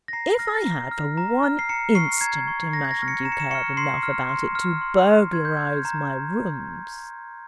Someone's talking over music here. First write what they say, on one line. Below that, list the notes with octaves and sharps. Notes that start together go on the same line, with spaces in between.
If I had for one instant imagined you cared enough about it to burglarize my rooms ...
A#6
A#5 C7
F6 A#6
A#5
F6
A#5
F6
C7
A#5 C#7
C#6 F6 C7
A#5 G#6
C#6 F6
A#5 A#6
G#6
A#6
C#6 F6
C#7
A#5 E7
C#7
E7
C#6 F6 C#7
C6 C7
F6
C6
F6
C6
F6
C6 G#6
G6
F6 G#6
A#5